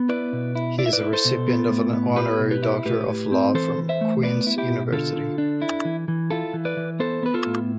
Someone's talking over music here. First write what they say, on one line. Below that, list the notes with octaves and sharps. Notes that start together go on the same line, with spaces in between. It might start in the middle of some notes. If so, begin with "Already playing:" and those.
He is a recipient of an Honorary Doctor of Law from Queen's University.
Already playing: B3
E4 B4 D5
B2
E4
E4 D5
E5
B4 D5
E4
A4 C5
B2
B3
A2
B3
E4 G4 B4
B2
G4 B4
E4
A2 G4 B4
A2
C4
E3 A4 C5
E3
C5 E5
A3
B3 B4 D5
E4
E4 G4
B2
D3 F4 A4
D3
D4
E4
E3
E3
E4 F4 A4
E3
B4 D5
E3
B3 A4 C5
B3 B4
F4 A4
A2